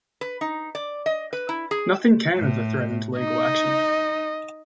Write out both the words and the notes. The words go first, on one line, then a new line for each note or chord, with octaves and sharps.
Nothing came of the threatened legal action.
B4
D#4
D5
D#5
B4
E4
G#4
A2
D#4 D#5